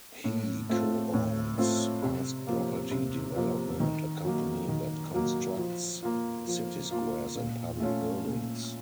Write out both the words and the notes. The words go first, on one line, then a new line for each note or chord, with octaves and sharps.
He co-owns Ask Property Development, a company that constructs city squares and public buildings.
A2
A3 C4 F4
A2
A3 C4 F4
C3
F3 A#3
C3
F3 A#3
D#3
F#3 A#3
D#3
F#3 A#3
F3
A#3 F4
F3
A#3 F4
A#2
A3 C#4 F4
A#2